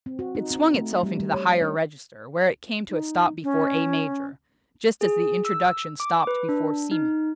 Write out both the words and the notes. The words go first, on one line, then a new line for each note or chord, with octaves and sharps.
It swung itself into the higher register, where it came to a stop before A major, just as the introduction stopped before C major.
C4
F#4
D#4
C4
A3
G3
G3
C#5
D4
D#4
C#4
G#4
E6
D6
B4
D4
D#4